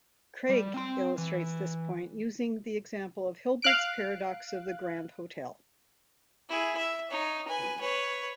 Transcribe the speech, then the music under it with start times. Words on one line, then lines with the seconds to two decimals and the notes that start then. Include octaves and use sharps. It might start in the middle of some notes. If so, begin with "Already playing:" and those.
Craig illustrates this point using the example of Hilbert's paradox of the Grand Hotel.
0.49 G3
0.74 C4 C6
1.18 E3
3.62 F5 F#6 D7
6.49 E4 G#4
6.78 E5
7.10 D#4 C#5
7.48 B4 G#5
7.80 B4 C#5